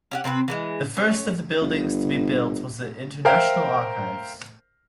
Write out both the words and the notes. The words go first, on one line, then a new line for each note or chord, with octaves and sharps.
The first of the buildings to be built was the International Archives.
C#4 G4 F#5
C3 C4 A#4 B4
E3 G3 G#3
C#4
G1
A#4 C5 E5 F5 G5 A#5